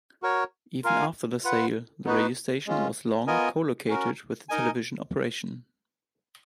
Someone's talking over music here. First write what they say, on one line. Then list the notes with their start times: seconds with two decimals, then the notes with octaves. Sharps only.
Even after the sale, the radio station was long co-located with the television operation.
0.22 F#4 A#4 C#5
0.84 F4 A#4 F5 G#5
1.44 F4 B4 F#5
2.05 B3 D#4 F#4 B4
2.67 G#3 C#4 F4
3.27 B3 F4 A#4 D#5 G#5
3.88 C#4 F#4 A#4
4.49 D#4 A#4 D#5 G#5